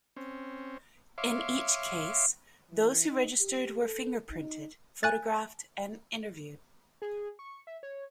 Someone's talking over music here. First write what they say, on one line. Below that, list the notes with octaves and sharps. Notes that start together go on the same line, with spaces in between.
In each case, those who registered were fingerprinted, photographed, and interviewed.
C4 C#4
C#5 E5 F5 C6 D6
E3
D#4
G4
A4
D#4
G#5 F#6 A6
G#4
C#6
E5
C#5